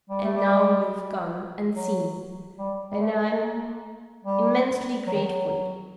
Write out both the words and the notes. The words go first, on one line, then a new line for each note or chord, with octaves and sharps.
And now you've come and seen, and I'm--immensely grateful.
G3
A3
G3
F#3
G3
G3
A3
A#3
G3
F#3
D#3
F#3